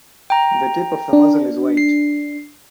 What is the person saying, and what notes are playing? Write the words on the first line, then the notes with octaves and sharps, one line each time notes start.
The tip of the muzzle is white.
G5 A#5
D4
C7